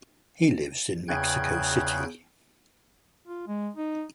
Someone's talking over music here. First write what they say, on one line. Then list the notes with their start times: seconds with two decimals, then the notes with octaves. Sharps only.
He lives in Mexico City.
1.08 E2 C#3 G5 F#6 G#6
3.26 F4
3.48 G#3
3.77 D#4